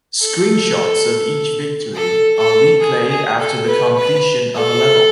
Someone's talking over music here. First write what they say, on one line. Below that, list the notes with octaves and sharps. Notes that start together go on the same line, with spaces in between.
Screenshots of each victory are replayed after the completion of a level.
A4
A4
A4
G#4
G#4
A4
B4
B4
A4